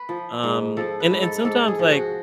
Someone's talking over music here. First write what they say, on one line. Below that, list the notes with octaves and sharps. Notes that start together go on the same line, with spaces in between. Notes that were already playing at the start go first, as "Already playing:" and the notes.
Um, and and sometimes, like,
Already playing: B4
F3
G#2
F3 A4
B4
G#2
A4
G#2 A4
G#4
F3
F#4